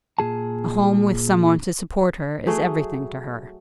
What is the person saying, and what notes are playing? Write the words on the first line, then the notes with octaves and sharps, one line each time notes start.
A home, with some one to support her, is everything to her.
A#2 G#4 A5
F#3 A3 G#4